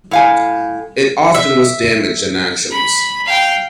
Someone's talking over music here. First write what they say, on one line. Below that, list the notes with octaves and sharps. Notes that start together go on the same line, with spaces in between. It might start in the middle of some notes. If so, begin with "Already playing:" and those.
It often was damaged in actions.
A2 F5 G#5
E5
B5
F5 G5